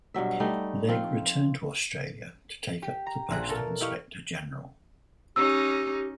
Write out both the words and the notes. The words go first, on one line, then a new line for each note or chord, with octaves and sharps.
Legge returned to Australia to take up the post of Inspector General.
G2 B2 F#3 E5
G3 A3 D#4
F3 C4 F4
G4
A#5
A#1 C4 G#4 E5 F#6 A#6
B2 A4 A#4 E6 E7
E4 G4 D#5 F5 C#6
C#4 D#4 G4 E6